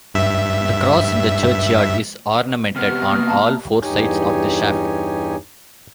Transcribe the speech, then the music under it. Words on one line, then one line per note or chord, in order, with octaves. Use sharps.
The cross in the churchyard is ornamented on all four sides of the shaft.
G2 E5
C3 B3 F6
G4
A#3 D#6
E5 A5 A#5
E2 G2 D#4 G4 C#5 G#5